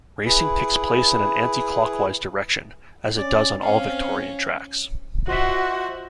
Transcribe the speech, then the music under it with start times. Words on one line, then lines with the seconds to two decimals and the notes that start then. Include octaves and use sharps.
Racing takes place in an anti-clockwise direction, as it does on all Victorian tracks.
0.25 E4 G#4 B4
3.18 C#4 D5
3.62 C4 C#4 F5
5.28 F4 F#4 C5 D#5 E5 F#5